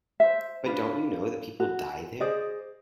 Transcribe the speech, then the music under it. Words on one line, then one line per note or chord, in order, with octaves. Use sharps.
But don't you know that people die there?
C5 E5
D4 F4 B4
F#4
G#4 C5 D5 D#5